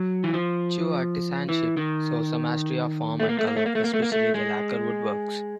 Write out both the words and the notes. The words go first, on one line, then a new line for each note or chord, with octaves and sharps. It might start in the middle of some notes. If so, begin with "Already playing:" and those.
Chu artisanship shows a mastery of form and color, especially the lacquer woodworks.
Already playing: F#3
E3
F3
E3
D#3
A3
A#3
A3
A#3
A3
A#3
A3
A#3
A3
A#3
A3
G#3